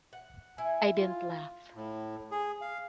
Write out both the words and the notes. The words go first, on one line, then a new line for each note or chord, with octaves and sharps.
I didn’t laugh.
F#5
E4 G#5
F4
A2
G#4
F5